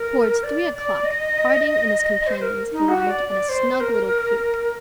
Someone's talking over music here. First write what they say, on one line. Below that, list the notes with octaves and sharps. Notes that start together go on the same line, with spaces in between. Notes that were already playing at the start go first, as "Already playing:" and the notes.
Towards three o'clock Harding and his companions arrived at a snug little creek.
Already playing: A#4
D5
D5
D#5
C5
A#4
D#4
F#4
D5
D5
C5
A#4